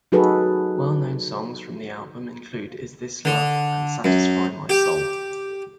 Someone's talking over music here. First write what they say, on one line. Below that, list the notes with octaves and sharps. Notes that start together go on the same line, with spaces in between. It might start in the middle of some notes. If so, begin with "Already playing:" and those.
Well-known songs from the album include "Is This Love" and "Satisfy My Soul".
F#3 D#4 F#4 G#4 A4 B4
D3
F#2
G4